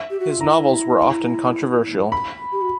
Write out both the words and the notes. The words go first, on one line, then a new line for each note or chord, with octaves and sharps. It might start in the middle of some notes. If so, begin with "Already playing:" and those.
His novels were often controversial.
Already playing: E5
G4
F#4
F4
E4 A#5
B5
G4
F#4